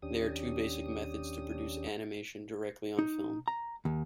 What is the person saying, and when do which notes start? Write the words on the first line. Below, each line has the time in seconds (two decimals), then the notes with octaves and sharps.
There are two basic methods to produce animation directly on film.
0.02 D#2 C#4 D4 G4 D#6
2.99 D#4
3.48 A#5
3.85 D#2